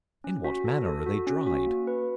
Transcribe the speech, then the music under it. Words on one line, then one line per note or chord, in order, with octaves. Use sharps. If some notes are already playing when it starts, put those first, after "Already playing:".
In what manner are they dried?
C#4
F#4
A4
A4
F#4
C#4
F#4
A#3
B4